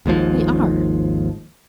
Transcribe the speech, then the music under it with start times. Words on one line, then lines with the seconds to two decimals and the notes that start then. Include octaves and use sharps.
They are.
0.06 G#1 D#2 G#2 F3